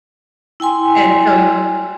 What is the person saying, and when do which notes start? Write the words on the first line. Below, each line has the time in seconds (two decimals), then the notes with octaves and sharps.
and so,
0.60 E4 G5 G#5 C6